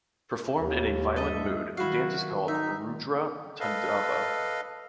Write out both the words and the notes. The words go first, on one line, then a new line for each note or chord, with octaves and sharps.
Performed in a violent mood, the dance is called "Rudra Tandava".
G1 D#2
G2 A4 D#5 E5
D#3 F#3 E4 F#4 F5
D#4 E5
A4 B4 D#5 F5